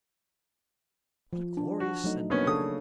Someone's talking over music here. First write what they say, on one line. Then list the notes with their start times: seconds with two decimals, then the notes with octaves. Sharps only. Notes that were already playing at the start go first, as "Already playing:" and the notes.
What a glorious send- off!
1.33 F3
1.57 D4
1.80 F#4
2.04 F#3 A3 D#4
2.30 B2 A#3 B3 C#4 D4
2.46 C#3 D4 A4 C#5 D#6